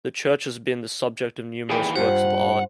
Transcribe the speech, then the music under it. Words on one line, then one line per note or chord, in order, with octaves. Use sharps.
The church has been the subject of numerous works of art.
D#2 E3 G#4 D5 G5
G2 F4 G4 C5 F#5